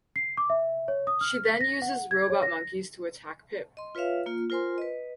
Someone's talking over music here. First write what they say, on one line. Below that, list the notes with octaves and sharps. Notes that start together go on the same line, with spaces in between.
She then uses robot monkeys to attack Pip.
C7
D6
E5
C#5
D#6
F6
B6
A#6
F#5
G#6
C#5
A#6
D#5 C6
F4 B4 C#5 E5 F5
A#3 F4
F4 A#4 C5 G#5 C6
B4 D#5